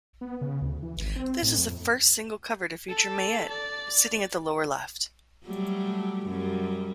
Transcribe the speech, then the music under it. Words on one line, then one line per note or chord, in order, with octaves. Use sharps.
This is the first single cover to feature Mayte, sitting at the lower left.
B3
C#3
D2
E3
G#1
C4
A2
F2
A4
D5
F#3 G3 A3
F#2 G3